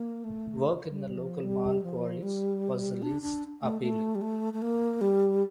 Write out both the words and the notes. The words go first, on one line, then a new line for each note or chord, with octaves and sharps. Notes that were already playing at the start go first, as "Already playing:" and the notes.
Work in the local Marl quarries was the least appealing.
Already playing: A#3
A3
G3
F3
G3
F3
G3
D4
D4
A3
A3
G3
A3
A3
A#3
G3